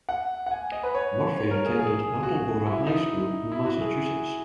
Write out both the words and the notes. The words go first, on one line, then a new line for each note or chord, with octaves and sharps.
Murphy attended Attleboro High School in Massachusetts.
F#5
F#5
G#5
D#5
B4
C#5
C#5
A#4
G#4
G#4
F#4
E4
D#4
E4
F#4
G#4